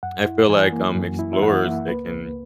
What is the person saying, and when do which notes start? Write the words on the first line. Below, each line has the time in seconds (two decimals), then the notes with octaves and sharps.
I feel like, um, explorers, they can
0.03 F#2 F#5
0.26 E4
0.49 E3 G#5
0.73 A#3
0.95 F#2
1.19 E4
1.33 E5
1.42 E3 F#5
1.65 A#3 E5
1.88 C#2 B4
2.11 C#2